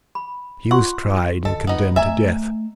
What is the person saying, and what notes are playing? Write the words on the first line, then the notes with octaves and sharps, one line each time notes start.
He was tried and condemned to death.
B5
F4 F#5 C6 C#6
D3 A4 D#5
B3 D#4
A3 D#5 E5 G#5 A#5